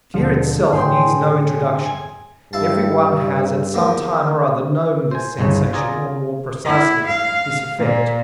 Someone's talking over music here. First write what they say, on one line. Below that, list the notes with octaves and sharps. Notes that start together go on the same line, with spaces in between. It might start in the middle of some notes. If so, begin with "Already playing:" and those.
Fear itself needs no introduction; everyone has at some time or other known this sensation or, more precisely, this effect.
D#2 B2 D3 F3
A2 D3 F#3 G#4 G5 C6
G#5
G2 E4 F5 A5
E2 A#3 B3
C5 G#5
G1 C2 C#3 C#5
F4 G#4 D5 G#5 A#5
E4
F5
A#2